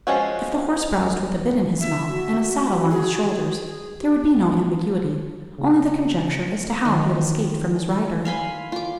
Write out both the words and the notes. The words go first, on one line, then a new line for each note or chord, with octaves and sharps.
If the horse browsed with a bit in his mouth, and a saddle on his shoulders, there would be no ambiguity--only the conjecture, as to how he had escaped from his rider.
F3 G#3 C#4 F#4
E5
F#4
G#4
G4
C#3
D#3
F5 G#5 B5 C6
F4 D6